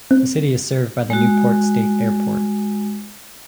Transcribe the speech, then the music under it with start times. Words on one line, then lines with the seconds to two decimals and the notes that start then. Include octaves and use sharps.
The city is served by the Newport State Airport.
0.11 C4
1.10 G#3 F#4